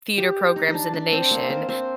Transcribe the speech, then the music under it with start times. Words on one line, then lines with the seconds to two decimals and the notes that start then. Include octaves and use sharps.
theater programs in the nation,
0.18 G4
0.56 D#4
0.68 D#4
0.74 D4
0.94 D4
1.12 C4
1.31 A#3
1.50 C4
1.69 C4